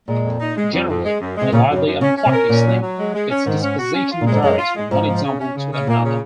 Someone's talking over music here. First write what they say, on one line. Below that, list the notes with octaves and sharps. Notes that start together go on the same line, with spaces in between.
Generally a lively and plucky snake, its disposition varies from one example to another.
A#2 G#3
F2
D#4
G#3
F2
F2
G#3
F#2
C3 G#3
A#2 C#3
F#2
C#3
F#2
C#3 C#4
C#4
C3
A#4
A#2 C#4
F#3
F#3
G#3
G#3
C#4
G#2 D#3
C#4
F#4
C#4
F4
A#2 G#3
G#2
F#2 G#3
F4
G#3
G#2 F3
F3
C#3
C#4
C#3
C#3
A#2 A#3
C#3